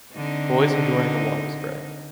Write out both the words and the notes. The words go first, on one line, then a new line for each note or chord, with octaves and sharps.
Boys enjoying a water spray.
D3 C4 D#4